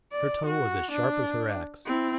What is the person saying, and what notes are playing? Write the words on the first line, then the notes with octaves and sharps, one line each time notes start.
Her tongue was as sharp as her axe.
D5
F#4
D4
C4 E4